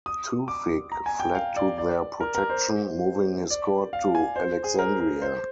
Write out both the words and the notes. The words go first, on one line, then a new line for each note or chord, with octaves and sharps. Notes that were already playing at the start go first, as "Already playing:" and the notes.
Tewfik fled to their protection, moving his court to Alexandria.
D#6
D6
A#5
G#5
G5
F5
D5
D5
A#4
A#4
C5
D5
F5
G#5
C5
G#4
A#4
A#4
C5